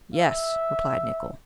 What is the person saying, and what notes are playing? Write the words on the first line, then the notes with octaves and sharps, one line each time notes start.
"Yes," replied Nicholl.
E5